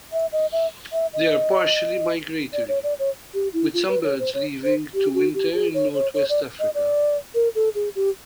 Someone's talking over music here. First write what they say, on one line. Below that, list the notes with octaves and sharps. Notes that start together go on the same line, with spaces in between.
They are partially migratory, with some birds leaving to winter in northwest Africa.
E5
D#5
E5
E5
D#5
D5
C#5
D5
C#5
G4
E4
F4
B4
C#5
C5
C#5
C5
G4
F#4
G4
G#4
C#5
C#5
C#5
D5
D#5
D5
A#4
A4
G#4
G4